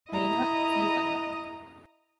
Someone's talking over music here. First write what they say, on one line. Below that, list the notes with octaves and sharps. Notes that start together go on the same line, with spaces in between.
Jaina C. Sanga.
E4 D#5 A#5